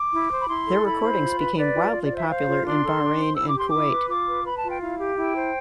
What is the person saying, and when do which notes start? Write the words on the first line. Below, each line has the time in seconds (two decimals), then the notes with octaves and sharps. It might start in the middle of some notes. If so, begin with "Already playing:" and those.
Their recordings became widely popular in Bahrain and Kuwait.
Already playing: D6
0.12 E4
0.30 C5
0.40 B5
0.47 E4 C6
0.66 A4
0.84 E4 B5
1.02 C5
1.20 F4
1.39 B4
1.56 B4 D5
1.74 F4
1.92 F4
2.04 D5
2.10 C5
2.16 E5
2.28 C5 F5
2.46 F4
2.64 D4 C6
2.82 A4
3.00 D4
3.18 C5
3.36 E4 E6
3.47 D6
3.54 G4 C6
3.68 E4 D6
3.90 B4
4.08 F4 D6
4.27 B4
4.44 B4 B5
4.57 A5
4.63 F4
4.68 G5
4.81 E4 F5
4.99 G4
5.16 E4 G5
5.35 C5